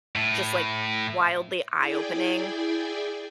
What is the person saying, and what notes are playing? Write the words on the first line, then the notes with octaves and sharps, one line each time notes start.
just, like, wildly eye-opening,
A2
E4 G#4 D5 G5 G#5